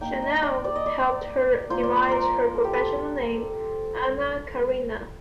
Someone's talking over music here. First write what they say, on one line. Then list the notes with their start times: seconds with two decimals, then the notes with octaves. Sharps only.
Chanel helped her devise her professional name, Anna Karina.
0.01 A#3 D#4 G5
0.22 D#5
0.42 D5
0.64 D5
0.76 D#5
0.86 D5
1.70 A#3 F4 C5
1.83 D5
1.96 C5
2.08 A#4 C5
2.54 A4
2.64 G4
2.73 A4
2.96 A4